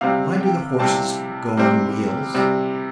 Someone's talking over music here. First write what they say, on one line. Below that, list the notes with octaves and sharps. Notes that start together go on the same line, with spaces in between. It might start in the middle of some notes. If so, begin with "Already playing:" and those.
"Why do the horses go on wheels?"
C3 G3 C4 F5
G5
C3 G3 C4 A5
C3 G3 C4
C3 G3 C4